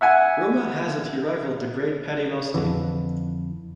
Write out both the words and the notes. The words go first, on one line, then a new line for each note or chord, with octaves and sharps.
Rumour has it he rivalled the great Paddy Losty.
E5 F#5 G#5
F2 D3 E3